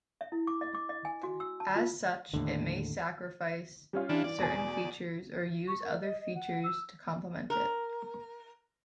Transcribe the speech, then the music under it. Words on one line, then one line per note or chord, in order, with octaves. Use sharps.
As such, it may sacrifice certain features, or use other features to complement it.
E5
E4
D6
D#5
D6
D#5
G#5
F#4
E6
A5
F4
D#2 A2 D3
G3 C#4 F4
E3 D4
E3 D5
E2 B2 G#5
C#6
A#4
D#5
D#5
F#5
E6
A#4